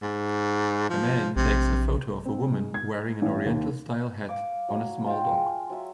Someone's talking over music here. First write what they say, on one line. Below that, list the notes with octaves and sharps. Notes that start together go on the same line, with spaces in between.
A man takes a photo of a woman wearing an oriental style hat on a small dock.
G#2
F3
A#1 C3
C4
G#3
G#6
A1
D#2
F5 D6
F#3 C#5
F4 G5
G#3
F#3 E5